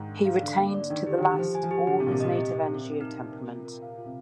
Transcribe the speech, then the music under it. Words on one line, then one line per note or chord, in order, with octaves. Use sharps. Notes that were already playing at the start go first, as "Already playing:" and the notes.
He retained to the last all his native energy of temperament.
Already playing: G#2 D#3
D4
F5
D3 D5
A#3
D5
D#3 D4
D3 G4
D#3 G4
D#3
F3 C5
G#5
F3
G4
D3 G4
C3
A#2 G4
C3
A#2 D#5
C3 G4
C4
C4
A#4
D#4
C4
A#4
F4
A#4
F5
F4
C3